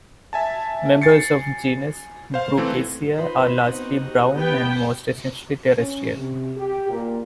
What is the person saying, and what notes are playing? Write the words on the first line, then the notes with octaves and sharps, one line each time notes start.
Members of the genus "Brookesia" are largely brown and most are essentially terrestrial.
E5 G#5 A5
G#5 A6 C7 C#7
C5 F5
E3 A3 C4
D#4 F4 B4 C5 B5
B3 C4 D#4 F#4 C5
G4
E3 B3 G4 G5
C#4
C3
G4
A#2